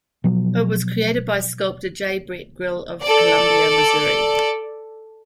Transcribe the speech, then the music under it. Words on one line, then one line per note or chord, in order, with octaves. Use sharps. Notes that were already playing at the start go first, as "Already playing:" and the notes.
It was created by sculptor J. Brett Grill of Columbia, Mo.
B2 F3 F#3
A4 D5